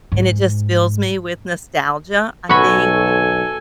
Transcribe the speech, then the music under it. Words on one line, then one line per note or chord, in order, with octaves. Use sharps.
and it just fills me with nostalgia. I think, um
G#2
B1 F#4 A4 G#5 B5 C#6